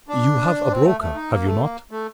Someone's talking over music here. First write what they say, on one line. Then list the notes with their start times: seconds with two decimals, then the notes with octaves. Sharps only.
"You have a broker, have you not?"
0.08 D4
0.70 C4
0.86 A3
1.01 A3
1.15 D#4
1.31 A#3
1.46 A3
1.61 A#3
1.91 A3